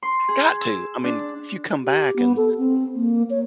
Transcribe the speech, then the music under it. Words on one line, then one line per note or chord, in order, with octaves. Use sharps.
Got to. I mean, if you come back and,
C6
G#4
E6
D4
G4
B3
A4
C4
A#3
C#5